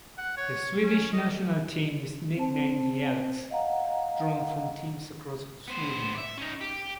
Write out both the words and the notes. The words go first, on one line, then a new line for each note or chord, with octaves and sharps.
The Swedish National team is nicknamed the Elks, drawn from teams across Sweden.
F#5
C#5
C#4
D#5
C4 C5 A5
D#5 F5 F#5 A#5
B3 C5
D5 E5
C#4 D#4
G4